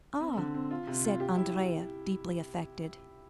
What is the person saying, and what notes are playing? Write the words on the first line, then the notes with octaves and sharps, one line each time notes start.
"Ah," said Andrea, deeply affected.
C4
D3
C4
F4
C3
F4
G4
E4